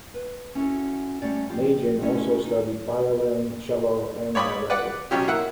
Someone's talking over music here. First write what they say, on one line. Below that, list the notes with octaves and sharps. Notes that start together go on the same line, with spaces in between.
Magin also studied violin, cello and ballet.
B4
C#4 E4 F#4 A4
G3 A3 C#4 C5 D5
F3 C4 F4 G4
A3 C#4 D#4 E4 G#4
D#2 D#4
C#5 D5 B5 C#6 D#6
B4 D5 F#5
B2 F#3 C#4 G4
A#3 E4 F#5